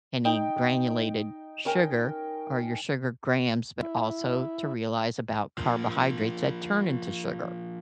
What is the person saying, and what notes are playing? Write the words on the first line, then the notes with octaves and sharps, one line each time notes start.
any granulated sugar, or your sugar grams, but also to realize about carbohydrates that turn into sugar
D#4 G5
C#4 A#4 G5
E4
F3 A#3